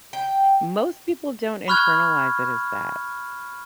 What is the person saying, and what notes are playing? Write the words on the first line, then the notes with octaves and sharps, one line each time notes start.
most people don't internalize it as that.
G5
B5 C#6 F6 F#6 G#6